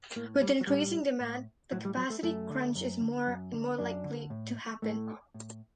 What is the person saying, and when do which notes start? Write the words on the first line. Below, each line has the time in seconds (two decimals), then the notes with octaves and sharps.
With increasing demand, the capacity crunch is more and more likely to happen.
0.16 A2 A#3
0.42 G3
0.61 F#3
0.67 A2 G3
1.20 A2
1.72 A2 F#3
1.85 G3
1.97 F#3
2.10 A3
2.23 F#2 A3
2.50 D3
2.75 F#2
3.01 D3
3.27 F#2
3.52 D3
3.78 F#2 D4
4.04 D3
4.30 A2
4.82 A2 A3
5.34 A2